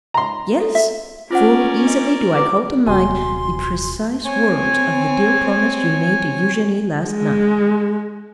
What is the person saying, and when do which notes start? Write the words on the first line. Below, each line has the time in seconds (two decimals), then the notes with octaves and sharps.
Yes; full easily do I call to mind the precise words of the dear promise you made to Eugenie last night.
0.14 A#5 C6
0.60 A4
0.75 E5
1.30 C#4 F4 A#4 C5 D5 F#5
1.87 D#5
2.34 E4 B4 D6
2.87 D#1 C3 F#4 G5 G#5 C6
4.25 C4 C#5 G#5
7.06 G#3